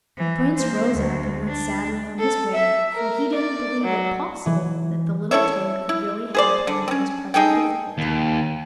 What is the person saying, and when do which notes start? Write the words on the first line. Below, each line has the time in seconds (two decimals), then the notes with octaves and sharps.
The Prince rose up and went sadly on his way, for he didn't believe it possible that the little toad could really help him in his present difficulty.
0.17 E3
0.56 A#3 C5
0.94 D2
1.48 D4
2.19 A4
2.54 E5
2.94 A#4
3.34 D5
3.83 F#3
4.46 E3
5.31 E4 A4 C#5 E5
5.89 E4
6.35 G#4 C5 D5
6.67 D3
6.88 C4 C#4
7.34 D#4 G#4 A4 G5
7.98 D#2